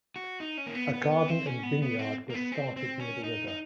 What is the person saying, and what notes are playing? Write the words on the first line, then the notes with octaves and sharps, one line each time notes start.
A garden and vinyard were started near the river.
F#4
D#4
C#4
A#3
B3
B3
B3
C4
C#4
B3
B3
C4
A#3
B3
C4
C4
C#4
D#4
D#4